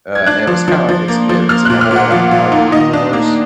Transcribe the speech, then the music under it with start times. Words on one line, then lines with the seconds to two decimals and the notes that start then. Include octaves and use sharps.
uh, and it was kinda like it's, eh in the whole, like, Marvel universe,
0.15 G#6
0.26 D4 F#6
0.47 F3
0.68 F3
0.89 F3
1.08 A#3
1.29 F3
1.49 A#3 F6
1.65 A#2 F#6
1.81 F6
1.91 A#2
1.96 F#5
2.11 F3 F5
2.31 A#2
2.52 D#4
2.72 D#3 D#5
2.93 D4
3.13 A#3